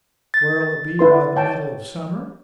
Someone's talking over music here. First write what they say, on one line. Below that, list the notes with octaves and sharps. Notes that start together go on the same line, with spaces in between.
Where'll it be by the middle of summer?
A6
E4 B4 C6
C#5 G5 A5